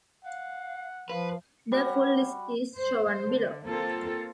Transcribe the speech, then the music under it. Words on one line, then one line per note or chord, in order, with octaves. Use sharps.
The full list is shown below.
F5 F#5
F3 B4 F5
G3 F#4 F#5
C5
D3
A#3 C4 F4 A4